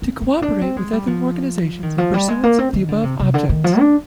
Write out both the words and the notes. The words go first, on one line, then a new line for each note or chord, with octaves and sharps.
To co-operate with other organisations in pursuance of the above objects.
C4
C4
D4
C4
G#3
G3
F3
D#3
F3
G3
G#3
A#3
C4
D#3
D3
C3
C3
D3
D#3
F3
D4